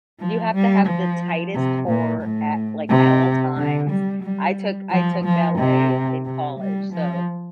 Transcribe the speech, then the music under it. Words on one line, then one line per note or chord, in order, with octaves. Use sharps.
You have to have the tightest core at, like, at all times. I took I took ballet in college. So,
F3
G3
F3
C3
A#2
A2
C3
D3
G3
G3
F3
F3
C3
C3
G3
F3